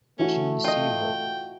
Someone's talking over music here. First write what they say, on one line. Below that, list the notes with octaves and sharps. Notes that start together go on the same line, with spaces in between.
Genes Evol.
E3 A3 C#4 F#4
F4 D#5 G5